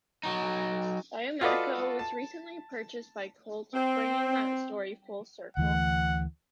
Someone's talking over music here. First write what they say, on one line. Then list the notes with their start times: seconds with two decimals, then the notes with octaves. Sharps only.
Diemaco was recently purchased by Colt bringing that story full circle.
0.23 F#3 D#4
1.41 F4 F#4 A4 B4 D5 D#5
1.99 A5
3.74 C4
5.57 D2 E3 A3 F#5